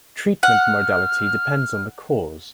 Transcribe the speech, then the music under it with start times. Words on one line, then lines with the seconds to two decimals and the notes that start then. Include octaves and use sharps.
Treatment modality depends on the cause.
0.43 F#5 F6